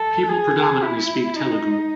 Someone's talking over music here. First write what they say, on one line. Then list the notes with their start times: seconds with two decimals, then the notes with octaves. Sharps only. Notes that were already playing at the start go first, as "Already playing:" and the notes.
People predominantly speak Telugu.
Already playing: A4
0.29 G#4
0.83 E4
1.36 D#4